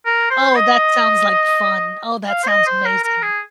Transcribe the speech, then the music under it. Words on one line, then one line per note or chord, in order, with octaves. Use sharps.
Oh, that sounds like fun. Oh, that sounds amazing.
A#4
C5
D#5
F5
C5
D#5
C5
A#4
A#4
G#4